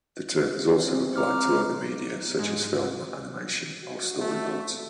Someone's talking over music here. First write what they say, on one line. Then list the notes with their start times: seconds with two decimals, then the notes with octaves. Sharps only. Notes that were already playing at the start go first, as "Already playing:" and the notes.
The term is also applied to other media, such as film, animation or storyboards.
0.83 C4
1.16 A#5 D6 F6
2.39 G#2
3.84 F#4
4.21 A3